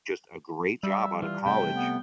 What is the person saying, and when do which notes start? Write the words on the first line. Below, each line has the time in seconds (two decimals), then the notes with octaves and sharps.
just a great job out of college,
0.83 G3 E5
1.22 E3 F4
1.46 C3 A3 G5
1.75 B3